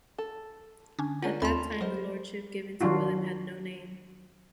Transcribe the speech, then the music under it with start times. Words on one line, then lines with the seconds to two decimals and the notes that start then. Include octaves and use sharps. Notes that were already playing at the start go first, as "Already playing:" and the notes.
At that time, the lordship given to William had no name.
0.18 A4
0.99 D3 C#4 D4 G#5
1.22 A#3 C#4 D4 F4 F#5
1.42 D#2 C4 A4 B5 C6
1.81 F#3 A#4 C5 D#5
2.81 D#3 F#3 D4 F4 F#4